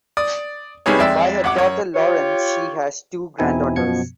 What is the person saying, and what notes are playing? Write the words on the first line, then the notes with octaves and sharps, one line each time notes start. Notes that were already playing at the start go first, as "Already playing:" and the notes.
By her daughter Lauren she has two granddaughters.
D5 D#6
C2 G3 B3 D#4 G#4 C#5
F2 G#3 D5 E5 G5 E6
A1 F#5 D6
F#2 C#5
F4 G4 C#5
E2 B2 C4 D#4 E4 G#5
F#2 B2 F3 B3 G#6 C#7